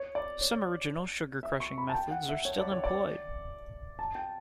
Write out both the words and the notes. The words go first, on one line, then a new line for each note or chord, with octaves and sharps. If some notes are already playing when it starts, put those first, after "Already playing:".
Some original sugar-crushing methods are still employed.
Already playing: C#5
D5
C#5
E5
C#6
B5
A5
G5
F#5
E5
C#5
D5
C#5
D5
A5
G5